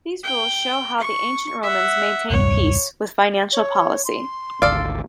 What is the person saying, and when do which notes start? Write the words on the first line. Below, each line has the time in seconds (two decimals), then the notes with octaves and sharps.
These rules show how the ancient Romans maintained peace with financial policy.
0.24 G5
1.00 C#6
1.63 E5 F#5
2.30 D#1 C2 G2 C#5
3.52 C#5
4.04 C6
4.62 G#1 D2 A4 D5 F5